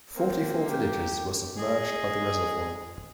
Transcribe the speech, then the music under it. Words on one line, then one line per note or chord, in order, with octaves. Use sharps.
Forty-four villages were submerged by the reservoir.
A#3 C4
G4
G#4 D#5